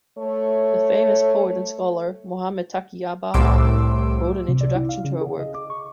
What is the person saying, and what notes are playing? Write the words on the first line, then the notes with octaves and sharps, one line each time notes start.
The famous poet and scholar Mohammad Taqi Bahar wrote an introduction to her work.
A3 C#5
C2 A2 C6 D6 E6 D7
C3
D5
E4
F5
C#3
G#4
D#5
D6
C#6